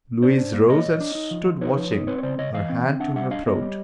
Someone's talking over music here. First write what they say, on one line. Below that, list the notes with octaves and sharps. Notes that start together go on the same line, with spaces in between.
Louise rose and stood watching, her hand to her throat.
D4 C5 D5
D4
A#3
A#3 C#5 D#5
A#2
D4
D#4
F3
F3
D#4 B4 C#5
F3
D#4
C4 B4 C#5
C#5
C#3 C5 D5
C#3 C#5 D#5
E3 D#5 F5
C4
C4
D4 E5 F#5
G3 E5 F#5
D4 D#5 F5
B3 C#5 D#5
G3